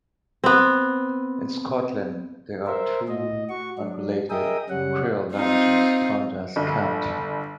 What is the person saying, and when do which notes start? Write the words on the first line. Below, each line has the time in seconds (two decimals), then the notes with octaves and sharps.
In Scotland, there are two unrelated creol languages termed as "cant".
0.44 B3 C4
2.67 A#4 C5 E5
3.08 A2 D#5
3.49 F#4 C#6
3.78 F#3 D4
4.30 G#4 A#4 D#5 E5 G5 D#6
4.70 F#2 C#3 G3 C#4 F#5
5.35 C4 D#4 F4
6.56 G1